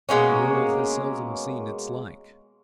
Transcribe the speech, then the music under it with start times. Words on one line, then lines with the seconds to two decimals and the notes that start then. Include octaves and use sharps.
'The world has seldom seen its like.'
0.09 B2 G#3 A#3 C#4